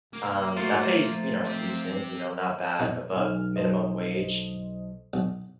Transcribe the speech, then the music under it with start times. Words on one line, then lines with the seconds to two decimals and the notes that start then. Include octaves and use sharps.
um, that pays, you know, decent, you know, not bad, above minimum wage,
0.13 C3 A#3
0.57 A3 F4 F#4 A#4 C5
0.99 F3
1.45 C4 G4
2.79 B2 D#4
3.16 B1 G#5 F6
3.56 A4 C5 D#5
5.13 B1